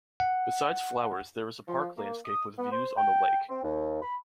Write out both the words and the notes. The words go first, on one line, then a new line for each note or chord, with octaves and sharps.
Beside flowers there is a park landscape with views on the lake.
F#5
F3
A#3
D#6
B3
C5
G5
C4
D#2
B5